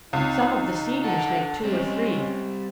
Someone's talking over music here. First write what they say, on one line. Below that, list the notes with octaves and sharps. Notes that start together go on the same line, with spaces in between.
Some of the seniors make two or three.
C#2 C4 D#4
D4 A4 F#5
G3 G#3 C4 C#4